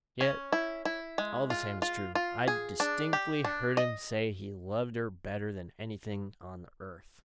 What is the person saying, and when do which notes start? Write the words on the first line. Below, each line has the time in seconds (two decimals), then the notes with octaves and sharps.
Yet all the same it's true, I distinctly heard him say he loved her better than anything on earth.
0.21 C#4
0.52 E4
0.85 E4
1.18 G#3
1.50 F4
1.82 F4
2.15 F4
2.48 G#4
2.80 D4
3.13 G4
3.45 D4
3.77 D#5